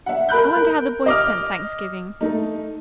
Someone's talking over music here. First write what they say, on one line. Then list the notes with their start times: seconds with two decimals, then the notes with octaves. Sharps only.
I wonder how the boys spent Thanksgiving.
0.06 E5 F#5
0.29 A#4 B5 F#6 G6
0.56 A#4
1.06 D#5 D6 F6
2.21 A3 D#4